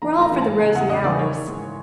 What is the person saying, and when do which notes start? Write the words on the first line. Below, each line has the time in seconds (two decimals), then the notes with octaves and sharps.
We're all for the rosy hours.'
0.02 E3 A#5
0.17 A2 A#5
0.32 E3
0.41 A2 A5
0.60 C#3 G#5
0.74 E2 F#5
0.89 C#3 D#5
1.04 E3 D5
1.18 D#3 C#5
1.33 D#3
1.47 G#2